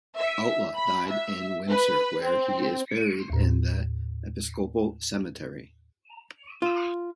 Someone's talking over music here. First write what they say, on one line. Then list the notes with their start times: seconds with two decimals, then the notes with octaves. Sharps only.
Outlaw died in Windsor, where he is buried in the Episcopal Cemetery.
0.17 E5
0.76 B5
1.09 E5
1.69 B4
2.23 C4
3.30 D#2 A2
6.62 F4